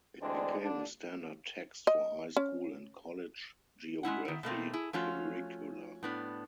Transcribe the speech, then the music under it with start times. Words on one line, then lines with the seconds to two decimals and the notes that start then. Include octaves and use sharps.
It became a standard text for high school and college geography curricula.
0.22 D2 E3 G#3 C4 D4
0.61 D3 D4
1.87 D#5
2.36 C#4
4.03 G#3 C#4 E4 F#5
4.25 D#3 E4
4.43 B2 A3 A#3 C4
4.73 E4 G#4
4.93 F3 A3 C#4 F4 F#4
6.03 A2 B3 D4